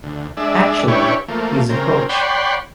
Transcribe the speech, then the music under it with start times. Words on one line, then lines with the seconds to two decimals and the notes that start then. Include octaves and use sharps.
Actually, he is a coach.
0.03 D2
0.37 G#3 D4 E5
0.88 C#4 D4 E4 G4 B4 C#5
1.28 F3 A3 A#3
1.70 C#3 C4 A#4
2.09 C#5 D5 F#5 G5 B5 C6